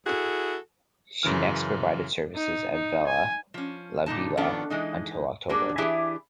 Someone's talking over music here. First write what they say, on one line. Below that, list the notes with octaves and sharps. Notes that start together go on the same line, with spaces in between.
She next provided services at Vella Lavella until October.
E4 F#4 G#4 A4
F#2 C#3 E3 F6
D#4
D#4
G#5
F3 C#4
A#2 D3 D#4 A5
D#3 F3 B3 C#4 D4 A4
E3 G#3 D#4
F#3 G3 A#3 D4 G#4
E3 D4 E4 G4 G#4 E5